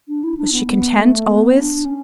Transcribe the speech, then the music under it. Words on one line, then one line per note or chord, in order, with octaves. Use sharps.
Was she content, always?
D4
E4
D4
B3
B3
A3
B3
D4
C#4